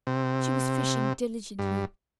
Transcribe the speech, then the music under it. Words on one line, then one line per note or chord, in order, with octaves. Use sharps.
She was fishing diligently.
C3
G2